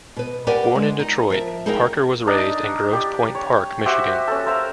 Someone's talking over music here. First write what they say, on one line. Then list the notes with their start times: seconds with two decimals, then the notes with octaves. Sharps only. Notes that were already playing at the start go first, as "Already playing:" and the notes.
Born in Detroit, Parker was raised in Grosse Pointe Park, Michigan.
0.16 B2 B4
0.47 G4 A#4 B4 D5 F#5 G#5
0.75 G#3
1.00 D#4
1.30 F3 A#4 E5
1.66 D#4 E4 G#4 A#4 F5 G5
2.27 D4 D#4 A#4
2.93 G4 D5
3.35 C#5
3.86 F#4 G4 C5 E5
4.28 C#4 A4
4.46 A#4 C5 E5 F5